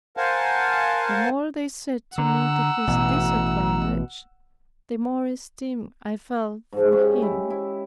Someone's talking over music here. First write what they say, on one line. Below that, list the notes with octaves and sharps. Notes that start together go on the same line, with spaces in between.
The more they said to me to his disadvantage, the more esteem I felt for him.
A#4 C5 F5 F#5 G#5 A5
D3 F#5 A#5 E6
A1 B2
G#2 F3
G#3 C#4 G4
E4
E4